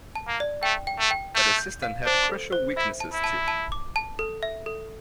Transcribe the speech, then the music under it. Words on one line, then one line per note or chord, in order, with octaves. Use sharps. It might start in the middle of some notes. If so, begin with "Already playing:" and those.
But the system had crucial weaknesses, too.
A5
A#3
D5
A3 G5
G5
A3
G5
A3 G6
G6
F5
D4 C5
A4
C5
E4 E5
A5
E4
A5
A5
D6
A5
A4
E5
A4